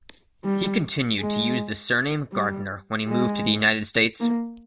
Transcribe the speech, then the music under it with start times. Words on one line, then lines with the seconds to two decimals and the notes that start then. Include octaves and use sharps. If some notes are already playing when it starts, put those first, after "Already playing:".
He continued to use the surname Gardiner when he moved to the United States.
0.44 G3
1.20 G#3
2.32 G3
3.08 G#3
4.20 A#3